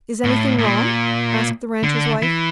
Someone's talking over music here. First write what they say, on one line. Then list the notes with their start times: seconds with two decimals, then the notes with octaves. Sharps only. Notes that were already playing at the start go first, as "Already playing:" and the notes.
"Is anything wrong?" asked the rancher's wife.
0.24 A2
0.58 A2
0.64 A#2
1.83 D3
2.23 E3